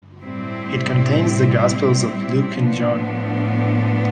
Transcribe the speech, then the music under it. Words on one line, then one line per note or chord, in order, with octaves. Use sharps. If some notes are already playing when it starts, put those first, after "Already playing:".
It contains the Gospels of Luke and John.
A2 G3 C4 E4
A2 F3 B3 D4